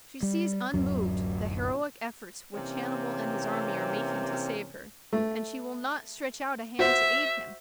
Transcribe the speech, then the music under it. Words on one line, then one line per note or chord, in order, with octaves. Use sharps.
She sees unmoved the heroic efforts which Hannibal and his army are making to save her, and she will not stretch out a hand to aid him.
G3
D1 F#2 F#3
C3 E3 A#3 C4 C#4
A3
F#4 C5 E5